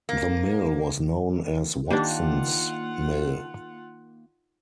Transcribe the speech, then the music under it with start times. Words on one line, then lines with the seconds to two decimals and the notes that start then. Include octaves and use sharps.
The mill was known as Watson's Mill.
0.09 A#3
1.90 D#3 A#3 D4 F4 G4 F#5